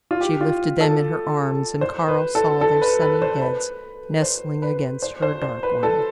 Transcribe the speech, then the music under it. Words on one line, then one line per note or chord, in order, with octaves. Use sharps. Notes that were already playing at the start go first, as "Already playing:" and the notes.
She lifted them in her arms, and Karl saw their sunny heads nestling against her dark one.
F4
G4
F4
A4
C5
B4
A4
A4
B4
B4
C5
B4
C5
B4
C5
C5
C5
B4
A4